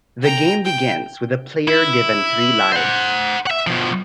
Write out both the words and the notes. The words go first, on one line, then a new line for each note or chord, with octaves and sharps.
The game begins with the player given three lives.
G5 A#5
G5
E4
C5 F#5
E5 F#5
B2 F3